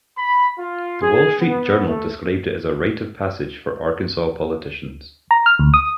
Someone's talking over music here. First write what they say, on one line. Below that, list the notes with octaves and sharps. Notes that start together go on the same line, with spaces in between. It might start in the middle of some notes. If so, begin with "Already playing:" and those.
"The Wall Street Journal" described it as a "rite of passage" for Arkansas politicians.
B5
F4
G#4
B3
A3
A#5
F6
D2
D#6